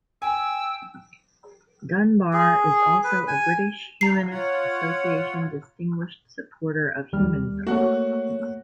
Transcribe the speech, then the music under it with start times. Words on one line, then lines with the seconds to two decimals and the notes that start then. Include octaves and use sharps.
Dunbar is also a British Humanist Association Distinguished Supporter of Humanism.
0.22 G5 G#5 E6
2.33 G#4
3.04 B4
3.28 G#5
4.01 G2 A#5 C7
4.31 F4 C#5 F#5
7.13 D#2 G3 F6
7.67 A3 A#3 F#4 C#5 F#5